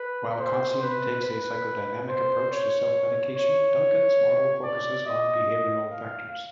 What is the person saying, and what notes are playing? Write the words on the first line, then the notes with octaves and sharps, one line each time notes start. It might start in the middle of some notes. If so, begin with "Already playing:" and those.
While Khantzian takes a psychodynamic approach to self-medication, Duncan's model focuses on behavioral factors.
Already playing: B4
C5
B4
B4
C5
C#5
C#5
D5
D#5
F5